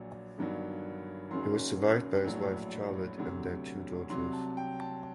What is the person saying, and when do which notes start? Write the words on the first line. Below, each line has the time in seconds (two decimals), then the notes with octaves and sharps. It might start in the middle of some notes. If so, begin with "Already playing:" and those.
He was survived by his wife Charlotte and their two daughters.
Already playing: A#1 A#2 F#3
0.38 G1 G2 D#3 F#3
1.31 F#1 F#2 D#3 F#3 C6
2.24 A#1 A2 F#3
3.18 D2 C3 F#3
4.10 C2 C3 F#3 C6
4.33 A5
4.57 G5
4.80 A5